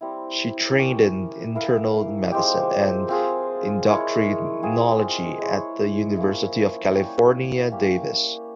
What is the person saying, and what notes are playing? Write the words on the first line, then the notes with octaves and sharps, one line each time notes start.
She trained in internal medicine and endocrinology at the University of California Davis.
G3 C4 E4
C#4 G4 A#4
E4 A#4 F5
F3 G#3 C4 G4
C4 F4 G#4
G#3 E4 A#4 C#5
C4 F4 G#4
G#3 E4 G#4 C#5
F3 A#3 C#4 E4
G3 C#4 G4 C#5
G3 A#3 C#4 G4